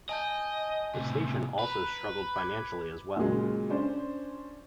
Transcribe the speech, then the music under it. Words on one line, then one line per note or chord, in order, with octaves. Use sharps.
The station also struggled financially as well.
D#5 G#5 A5 G6
A2 C3
B4 A#5 B5
D6 G#6
A#2 C#3 F#3 G#3
C#4 D4 C5